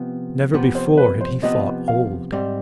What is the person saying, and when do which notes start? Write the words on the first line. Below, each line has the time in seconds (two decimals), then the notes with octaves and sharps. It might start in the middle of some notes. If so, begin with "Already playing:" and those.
Never before had he thought old.
Already playing: C3 F3 B3
0.54 C3 F3 B3
0.75 C5
0.97 B4
1.21 C5
1.42 C3 F3 B3 D#5
1.88 F5
2.32 G#2 G3 C4